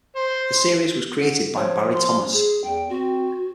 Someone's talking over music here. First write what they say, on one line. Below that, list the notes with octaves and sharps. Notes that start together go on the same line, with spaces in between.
The series was created by Barry Thomas.
C5
D3
F3 C#5
C6
G#4
E2 G5
C4 F#4